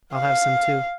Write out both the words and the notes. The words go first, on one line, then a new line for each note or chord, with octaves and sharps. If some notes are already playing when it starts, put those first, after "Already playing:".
I'll have some too!
F5